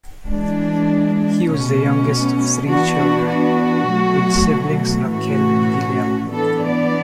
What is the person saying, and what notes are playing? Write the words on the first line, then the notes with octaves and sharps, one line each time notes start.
He was the youngest of three children, with siblings Raquel and Guillermo.
E3 G#3 D4
B2 A3 C#4
E3 B3 D4 F#4
F#4
B2 F#3 A3
A2 E3 A3 C#4 F#4
E3 B3 D4 A4
D5